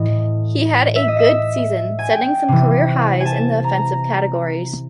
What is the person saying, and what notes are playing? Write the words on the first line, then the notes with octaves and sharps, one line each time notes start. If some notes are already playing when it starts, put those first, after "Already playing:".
He had a good season, setting some career highs in the offensive categories.
Already playing: A2 E3 D#5
E5
D#5
E5
G#5
G5
C3 E3
G#5
A5
A#5